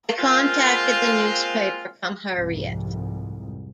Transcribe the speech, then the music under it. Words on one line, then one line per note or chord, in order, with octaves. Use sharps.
I contacted the newspaper Cumhuriyet.
G#3 A#3 C4 F4
C2 F2 G#2